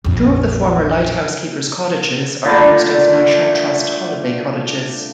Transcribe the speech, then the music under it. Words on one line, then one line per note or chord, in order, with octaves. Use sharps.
Two of the former lighthouse keepers' cottages are used as National Trust holiday cottages.
A#1 F2
A#2 D3 G3 A3